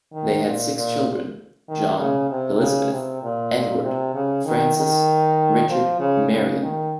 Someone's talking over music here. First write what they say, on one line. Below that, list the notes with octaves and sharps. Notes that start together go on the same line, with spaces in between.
They had six children: John, Elizabeth, Edward, Frances, Richard and Marion.
D#3
A#2
A#2
D#3
C#3
C3
C#3
C3
A#2
A#2
C3
C#3
D#3
D#3
F3
C#3
C#3
D#3